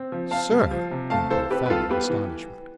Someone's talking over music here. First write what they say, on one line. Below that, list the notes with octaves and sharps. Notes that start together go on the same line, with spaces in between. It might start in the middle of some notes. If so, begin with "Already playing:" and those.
"Sir!" in profound astonishment.
Already playing: C4
F3
C4 F5 A5
G3
F3
C3
A3 F5 A5
E3 A4 C5
C4 G4 B4
B4
G3 F4 A4
B3 G4 B4
E3